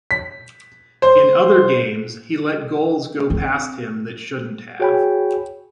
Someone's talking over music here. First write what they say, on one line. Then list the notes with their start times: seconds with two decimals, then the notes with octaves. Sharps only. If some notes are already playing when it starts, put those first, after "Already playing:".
In other games, he let goals go past him that shouldn't have.
0.11 B6
1.02 C5
3.30 C4
4.80 F#4 G#4 C#5 G5 G#5 B5